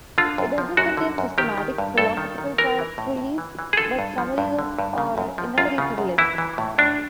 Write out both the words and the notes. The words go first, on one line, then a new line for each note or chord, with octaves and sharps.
It does not contain systematic philosophical treatises, but summaries or enumerated lists.
D3 F4
F#2
F3
F#2 F#4
D3
F#2
D#3 G4
D#3
G2
G2 A4
D#3
D#3
E3 A#4
E3
A2
A2
E3
E3
G#4
D3 A4
G2
F3
G2
D3
G2
C#3
F#2
F3
F#2 F4
C#3
F#2
E3 E4
E3
A2
A2 D4